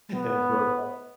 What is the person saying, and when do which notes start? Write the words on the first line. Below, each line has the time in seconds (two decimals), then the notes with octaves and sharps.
in growing up.
0.14 B3